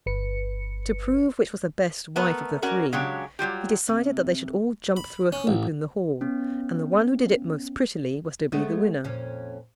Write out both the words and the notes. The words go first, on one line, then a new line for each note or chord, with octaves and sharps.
To prove which was the best wife of the three, he decided that they should all jump through a hoop in the hall, and the one who did it most prettily was to be the winner.
G1 B4 C#7
A3 B3 A#4 B4
C#4 F#4 A#4 D5
C#3 F#3 G#3 D4 G4 C#5
F#3 G3 F4 G4
C3
B5
C#4
A1
B3 C#4
G#3 A3 B3
F2 A#2 C#4